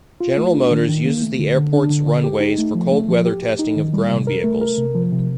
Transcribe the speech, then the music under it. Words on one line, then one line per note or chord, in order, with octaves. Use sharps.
General Motors uses the airport's runways for cold-weather testing of ground vehicles.
F4
A3
D4
D#3
D#3
A#3
A3
D3
D3
D4
D3
D3
G4
D#4
A3
F3
A3
F3
G4
G4
D#4
D#3
G3
C3
A#4
A3
A#4
C3
F3
C3